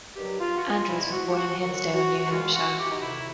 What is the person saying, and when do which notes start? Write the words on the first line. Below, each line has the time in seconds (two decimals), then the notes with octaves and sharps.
Andrews was born in Hinsdale, New Hampshire.
0.15 G2 D#3 F#3 G4
0.39 F4
0.57 F#4
0.63 F4
0.87 E2 B2 G3 E4
1.11 F#4
1.30 G4
1.35 F#4
1.58 F#2 D3 F#3 F#4
1.94 F#4
2.19 F#4
2.30 D#2 C#3 E3 G#3 F4
2.54 F#4
2.78 G4
2.90 D#4
3.01 F2 C3 D#3 E4